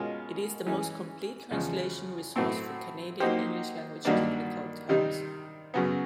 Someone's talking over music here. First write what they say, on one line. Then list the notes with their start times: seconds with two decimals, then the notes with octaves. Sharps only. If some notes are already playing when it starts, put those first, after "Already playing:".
It is the most complete translation resource for Canadian English-language technical terms.
Already playing: B2 G#3 C#4 F4 A#4
0.67 E3 G#3 C#4
1.51 E2 C#3 F3 G#3
2.36 A2 F#3 A3 C4
3.20 F#3 A#3 D#4 G4 C5
4.05 G2 D#3 F#3 A#3 D4
4.89 C3 D#3 G3
5.74 F#2 C#3 F#3 B3